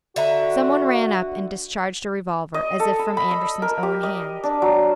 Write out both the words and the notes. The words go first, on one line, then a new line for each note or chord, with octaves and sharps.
Some one ran up and discharged a revolver as if from Andersen's own hand.
D3 F#4 E5 A#5
D#5
A4
B5
B5
D#5
A#4
G4
D#5
D4
F#3